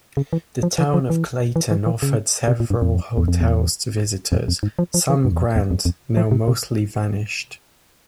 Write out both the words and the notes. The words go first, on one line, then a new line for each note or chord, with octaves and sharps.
The Town of Clayton offered several hotels to visitors, some grand, now mostly vanished.
C#3
E3
F3
E3
F3
E3
E3
E3
E3
C#3
C3
A#2
G2
F2
E2
F2
E2
F2
E2
F2
F2
G#2
F3
F3
E3
G2
E2
F2
E2
F2
F2
F3
C3
C3